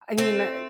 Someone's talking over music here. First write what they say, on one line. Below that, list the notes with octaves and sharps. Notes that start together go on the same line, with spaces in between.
I mean, I
A3 C4